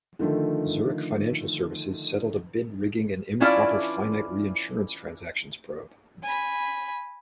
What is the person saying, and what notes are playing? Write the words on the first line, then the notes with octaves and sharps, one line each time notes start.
Zurich Financial Services settled a bid-rigging and improper "finite reinsurance" transactions probe.
D3 D#3 F3 A3
E3 C#4 D4 E4 F4 D5
G#5 B5